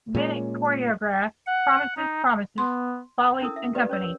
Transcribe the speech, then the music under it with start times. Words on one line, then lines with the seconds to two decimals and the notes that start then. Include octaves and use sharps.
Bennett choreographed "Promises, Promises", "Follies" and "Company".
0.15 A#2 G#3 A3 C#4
1.46 F#5
1.97 D#4
2.58 B3 C6
3.40 C#4 D4 E4 A4 A#4 D#6
3.56 E5
3.75 G4 B4 D5 D#5
3.89 C#4 C#5 E6
4.04 A#4